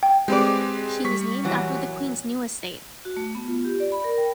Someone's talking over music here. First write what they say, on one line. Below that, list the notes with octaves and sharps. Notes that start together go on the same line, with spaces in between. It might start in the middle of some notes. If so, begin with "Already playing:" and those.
She was named after the Queen's new estate.
G5
G#3 C4 G4 B4 D5
G3 C#6 B6
A#2 E3 F#3
F#4
A3
B3
F4
G4
D5
B5
A#4
G5